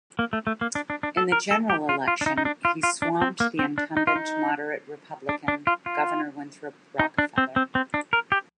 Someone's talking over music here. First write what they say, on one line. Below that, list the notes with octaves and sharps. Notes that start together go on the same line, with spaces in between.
In the general election, he swamped the incumbent moderate Republican Governor Winthrop Rockefeller.
A#3
A3
A3
A#3
D4
D4
D4
A4
A#4
A4
G4
F4
F4
D4
D#4
D#4
D4
F4
F4
D4
C4
A#3
C4
D4
D#4
F4
D#4
D4
D4
F4
F4
D#4
D4
C4
C4
C4
D4
A#4
G4